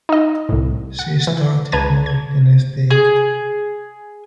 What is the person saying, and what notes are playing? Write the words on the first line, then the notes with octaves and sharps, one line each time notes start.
She started work the next day.
D#4 D#5
C2 A2
F#5
E3
C#2 B4 A5 A#5 G#6 D#7
G#6
G#4